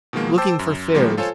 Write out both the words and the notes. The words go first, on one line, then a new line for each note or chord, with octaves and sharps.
Looking for fares.
B2 D#3 F3 G#3 A#3
C5 G5 A5 D6 E6
F#2
A2 D3 F3 G3 G#3 A#3
F4 A4 C5 C#5 G#5 A5